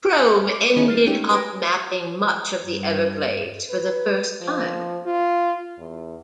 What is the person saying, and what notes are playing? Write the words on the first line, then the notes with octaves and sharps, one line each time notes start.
Krome ended up mapping much of Everglades for the first time.
E5 G#5
D6
D#3 B3 C#4 D#4 E4 G#4
F6 G6 A6 C7 D#7
G#3 A3 C#4 D#4 G4
G4 B4 A#5 G#6 A#6 D7
G2
B4
F3
F4
E2